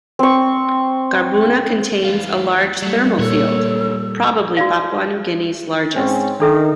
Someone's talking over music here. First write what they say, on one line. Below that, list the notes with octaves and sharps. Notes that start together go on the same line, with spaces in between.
Garbuna contains a large thermal field, probably Papua New Guinea's largest.
C4 C#6
E3 F4
F#3 G3 A3
D2 A#2 A#3 A4 C#5
F#4 D5 F5
G#2 C4 C#4
D#3 D4 A4 E5